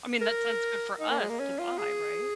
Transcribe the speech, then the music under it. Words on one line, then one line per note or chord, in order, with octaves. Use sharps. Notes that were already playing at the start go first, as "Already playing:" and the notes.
I mean, that sounds good for us to buy, right?
A#4
D#4
A#3
G#3
A#3
C#4
F4
G#4